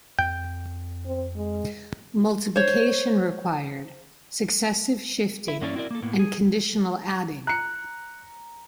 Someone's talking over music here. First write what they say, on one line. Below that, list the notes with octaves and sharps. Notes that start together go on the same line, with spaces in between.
Multiplication required successive shifting and conditional adding.
F2 G5
C4
G#3
C5 C#5
E4
G2 A#3 C#4 E4 F#4 D5
C4 E4 F#4 A4 A#4 D5
A#3 A4
A2 A#3 B3
G#4
A#5 F#6 C#7